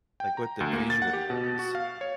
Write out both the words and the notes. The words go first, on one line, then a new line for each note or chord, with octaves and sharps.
like, what the visual was.
G5
A#5
D2
A#3
A6
F#5
G4
B2
F#4
F5
C#5